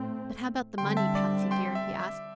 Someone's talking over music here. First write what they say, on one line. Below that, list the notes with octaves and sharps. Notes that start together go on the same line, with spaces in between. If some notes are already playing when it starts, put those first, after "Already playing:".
"But how about the money, Patsy dear?" he asked.
Already playing: A2 A3 C4
D3 G3 C4 G5 C6
E5 A5
D5
G5 C6
E5
E5